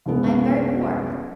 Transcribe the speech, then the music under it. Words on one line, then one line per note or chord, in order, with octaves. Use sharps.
I am very poor.
C2 F#2 G#3 B3